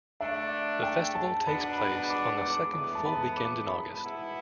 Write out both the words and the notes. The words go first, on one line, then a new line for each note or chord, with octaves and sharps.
The festival takes place on the second full weekend in August.
D3 A3 D4 E5
G5
A5
B2 B3 D4 B5
B5
D6
D6
A2 E3 B3 D6
A5
B5
D6
B5
B2 B3 E4